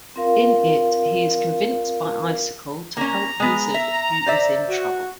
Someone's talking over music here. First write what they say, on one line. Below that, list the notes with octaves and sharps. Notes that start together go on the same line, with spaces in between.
In it, he is convinced by Icicle to help Wizard, who is in trouble.
C4 F4 A#4 F5
A#3 C#4 A#5
G#3 B3
E5
C5 D5 E5
F#4